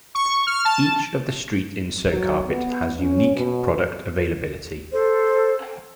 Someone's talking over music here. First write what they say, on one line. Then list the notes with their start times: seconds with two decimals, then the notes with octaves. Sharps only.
Each of the street in Sowcarpet has unique product availability.
0.15 C#6
0.47 F6
0.65 A5
2.09 F#3
2.46 B3
2.98 C#4
3.35 B2
4.91 A4 C5